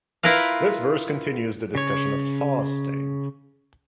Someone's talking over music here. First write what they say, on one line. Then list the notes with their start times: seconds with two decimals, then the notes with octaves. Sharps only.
This verse continues the discussion of fasting.
0.23 E4 F4 A#4 B4 F5
1.75 C#3 C#5